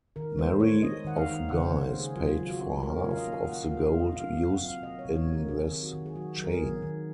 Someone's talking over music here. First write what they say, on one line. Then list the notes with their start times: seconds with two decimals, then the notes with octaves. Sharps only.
Mary of Guise paid for half of the gold used in this chain.
0.16 D#3 A#4
0.38 G#3 C5
0.60 G#3 C#5
0.82 D#4 D#5
1.04 D#3 F#5
1.17 F5
1.27 D#4
1.49 C#3 F#5
1.57 C5
1.66 C#5
1.71 A#3
1.82 C5
1.94 A#3
2.00 G#4
2.16 F#3 F4
2.38 F#3 F4
2.50 F#4
2.61 C#4
2.83 C#4 A#4
2.99 C#5
3.05 F4
3.11 F5
3.16 D#5
3.28 A#3 F5
3.49 A#3 F#5
3.66 F5
3.71 F4
3.82 F5
3.93 A#3
3.99 D#5
4.16 C3 F5
4.33 F5
4.38 C4
4.50 F#5
4.61 F#3 F5
4.82 C3 D#5
4.99 C#5
5.05 C3
5.16 C#5
5.28 C3
5.33 A#4
5.49 C3 G#4
5.71 D#3
5.83 F#4
5.93 D#3
6.06 G#4
6.16 F#3 F#4
6.38 F#3
6.44 A#4
6.49 G#4
6.61 D#3
6.82 D#3